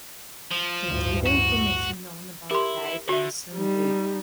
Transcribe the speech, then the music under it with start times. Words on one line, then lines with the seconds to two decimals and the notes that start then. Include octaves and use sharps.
There is little information known about the diet of the sungrebe.
0.51 F3
0.87 A1 D2 G2
1.26 F#4
2.51 E4 G4 A#4 C6
3.09 D3 F#4 E5
3.56 G3 D#4